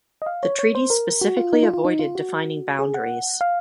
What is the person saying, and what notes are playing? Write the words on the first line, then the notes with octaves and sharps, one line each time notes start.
The treaty specifically avoided defining boundaries.
D#5
F5
C#5
C#5
C5
A#4
F#4
F4
D#4
F4
F4
D#4
F4
F#4
G#4
F#5
F5